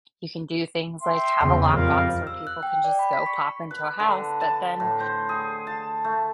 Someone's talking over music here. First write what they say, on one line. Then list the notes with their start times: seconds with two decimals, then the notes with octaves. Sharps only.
you can do things like have a lockbox where people can just go pop into a house, but then
1.02 E5 G5 C6
1.41 E2 C#3
1.72 F2 G3 A#4 F5
2.27 E6
2.47 F#6
2.63 G5
2.84 D5
2.99 B5
3.13 B6
3.26 C#6
3.71 B4
4.00 D3
4.41 A5
4.80 A2
5.00 C5
5.29 G#4
5.67 A5
6.04 A3